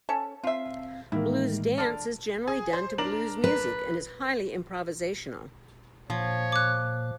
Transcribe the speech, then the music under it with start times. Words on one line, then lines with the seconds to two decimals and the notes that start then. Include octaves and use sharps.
Blues dance is generally done to blues music, and is highly improvisational.
0.09 C#4 A4
0.44 C4 F4 E5 F5 C7
1.12 A2 D#3 E3 G#3 A#3 E4
1.78 D3 A4 D5 F6
2.48 G#4
2.73 C5
2.98 D4 A#4 F#7
3.44 B4
6.10 A#2 F3 C#5
6.52 D6 F#6